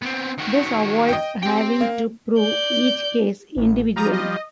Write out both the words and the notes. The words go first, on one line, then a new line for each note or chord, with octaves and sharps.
This avoids having to prove each case individually.
B3 C4
D#3 F#4
D#5 G5
C4 G4 G5
A#3
D5 G6
A1
F3 G3 A#5 D#6
D#5